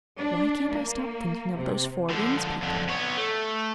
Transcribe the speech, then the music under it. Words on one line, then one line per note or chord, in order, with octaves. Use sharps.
Why can't I stop thinking of those Four Winds people?
D4
A#3
C3
D3 F3
F2 D3
B3 C#5
A3